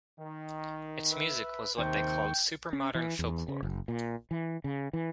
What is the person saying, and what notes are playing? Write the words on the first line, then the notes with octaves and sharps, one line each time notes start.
Its music was what they called "supermodern folklore".
D#3
B4 E5
D#2 C3 D#3 C5 G5 C#6
C#4
E3
E2
C#3
F#1
A#2
E3
C#3
E3